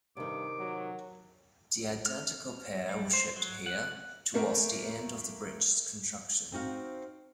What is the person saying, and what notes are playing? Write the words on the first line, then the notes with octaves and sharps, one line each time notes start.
The identical pair were shipped here, towards the end of the bridge's construction.
G2 C3 D#3 D6
F#3
F6
G3
C5
F#3
F#5
A3 A#3 A#4
C4 D#4 F#4 F5